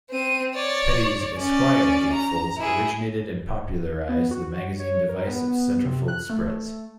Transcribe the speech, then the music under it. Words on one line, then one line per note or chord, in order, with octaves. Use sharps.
Petty's "Esquire" gatefolds originated and popularized the magazine device of centerfold spreads.
C4 D#7
C#5 D5
C#4 D5
A#5
E4 G#4
B3
F#4
C#5
A#4
B3
C3
F#6
A3